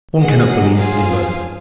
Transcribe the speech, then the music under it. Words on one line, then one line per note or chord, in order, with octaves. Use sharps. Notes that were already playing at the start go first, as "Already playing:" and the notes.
One cannot believe in both.
G#3 G#4 D#5 F#5
F#3
F4 G#4 C5 F5 G#5
F3